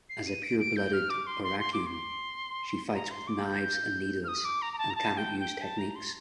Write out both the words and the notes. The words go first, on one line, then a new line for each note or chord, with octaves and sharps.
As a pure-blooded Orakian, she fights with knives and needles and cannot use techniques.
C7
D#7
D7
D7
G6
F6
D6
C6
C6
C6
D6
C6
A#5
C6
D6
G6
F6
D#6
D6
A#5
A#5
A5
A#5
A5
G5
G5
A5
A#5
C6